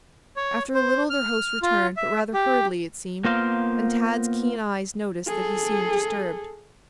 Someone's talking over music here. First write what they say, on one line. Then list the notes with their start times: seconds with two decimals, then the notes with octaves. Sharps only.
After a little their host returned, but rather hurriedly, it seemed, and Tad's keen eyes noticed that he seemed disturbed.
0.36 C#5
0.74 C5
1.10 F6
1.62 F4
1.97 E5
2.34 G4
3.25 A#3 B3 F4 A#4 C5 F5
5.26 G#4 A4